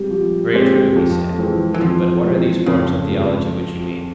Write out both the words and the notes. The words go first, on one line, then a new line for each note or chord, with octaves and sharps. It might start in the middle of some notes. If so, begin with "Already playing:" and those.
Very true, he said; but what are these forms of theology which you mean?
Already playing: G3 G#3 C4 G4
F3
G#3 C4 G4 C5
F2
E3 G#3 C4
E3
F2 F3
E3 G#3 C4
F2 C#3
G#3